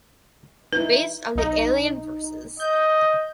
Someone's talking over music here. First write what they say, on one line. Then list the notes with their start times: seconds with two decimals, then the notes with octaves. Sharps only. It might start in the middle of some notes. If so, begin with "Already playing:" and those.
Based on the Alien vs.
0.73 D#4 E4 B4
1.35 B1 D#4
2.60 D#5 G6